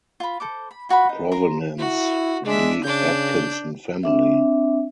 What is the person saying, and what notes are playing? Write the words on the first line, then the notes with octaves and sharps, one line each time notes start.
Provenance: The Atkinson family.
F4 B5
A4 C5 D6
B5
F4 F#4 A#5 B5
D#4
A#4 A#5 C6
E4 F#4
G#3 D4 E5
C#3 D4 G6
C4 D4 E5